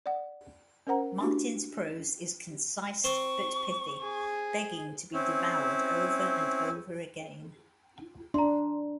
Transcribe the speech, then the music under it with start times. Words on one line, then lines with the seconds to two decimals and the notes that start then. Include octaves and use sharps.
Martin's prose is concise but pithy, begging to be devoured over and over again.
0.06 D5 F#5
0.87 C#4 A#4 C5 F#5 A#5
1.20 A3 D4 E4 F#4 G4
3.04 C4 C5 C6 C#6
4.02 G#4
5.12 C4 C#4 E4
8.34 D4 A#5 C6